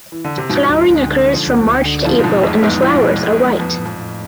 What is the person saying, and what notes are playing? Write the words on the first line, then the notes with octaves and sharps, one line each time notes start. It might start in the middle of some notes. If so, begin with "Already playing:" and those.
Flowering occurs from March to April and the flowers are white.
E3
D3
C3
G#2 B2 F3
D2
D2
D3
F3
D2
D2
D3
F2 A2 F4
G#2
F2 B2
E2 G#4
E2 G#2 B3
F2 A2 F4
B2
G#4
B3
F2 B3
A2
F2
A2